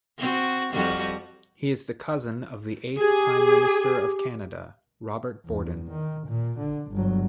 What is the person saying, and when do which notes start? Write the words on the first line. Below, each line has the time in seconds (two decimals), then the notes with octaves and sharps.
He is the cousin of the eighth Prime Minister of Canada, Robert Borden.
0.18 C4 F#4
0.73 F2 G3 F#4
2.98 G4 G#4
5.47 E2
5.92 D#3
6.28 A#2
6.60 D3
6.92 G1 F#3